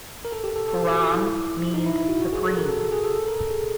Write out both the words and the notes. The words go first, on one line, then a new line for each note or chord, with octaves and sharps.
'Param' means 'Supreme'.
A#4
A4
G4
A4
A4
G4
F#4
F4
E4
D#4
E4
E4
F#4
F#4
G#4
A4
A#4
A4
A4
G#4
A4
A4
A#4
A4
G#4